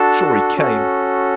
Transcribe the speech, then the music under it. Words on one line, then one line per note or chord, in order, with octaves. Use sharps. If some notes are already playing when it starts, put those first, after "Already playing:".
Shorey came.
Already playing: D4 F#4 A4 A5
C#4 F#4 A4